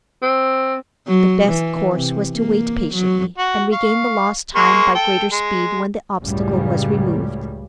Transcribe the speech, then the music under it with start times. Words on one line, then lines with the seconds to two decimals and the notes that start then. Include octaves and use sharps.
The best course was to wait patiently, and regain the lost time by greater speed when the obstacle was removed.
0.22 C4
1.07 F#3
1.48 E3
1.93 C3
2.36 A#3
2.94 F#3
3.38 F#4
3.72 F5 C#6
4.55 G#3 A#3 C#6
4.95 A4 G5
5.32 G#3
6.21 C#2 F#2 A2 C#3 G3